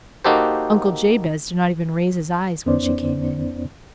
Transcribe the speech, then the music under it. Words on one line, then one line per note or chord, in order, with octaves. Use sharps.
Uncle Jabez did not even raise his eyes when she came in.
A#3 D#4 F#4 G4 A4 C5
F2 B3 C#4 D#4 C5 D5